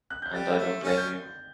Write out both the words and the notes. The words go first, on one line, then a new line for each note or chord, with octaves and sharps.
And I don't blame you.
F#6
G6
G3 A6
A3
C#4 A6
G6